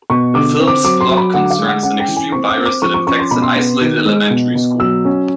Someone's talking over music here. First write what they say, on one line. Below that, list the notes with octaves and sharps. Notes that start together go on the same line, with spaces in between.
The film's plot concerns an extreme virus that infects an isolated elementary school.
B2 C#6
D3 D6
C4
D6
F#3 D6
C6
F#3
B5
D3 F#5
F5
G#3
F#5
C#4 F#5
G5
E3
G#5
C4 C#6
D6
C4
D6
F3 C#6
C#6
C#4 C#6
C6
B2 B5
C6
B3
D#3
G#3
B2
B2
F#3 E6
C#4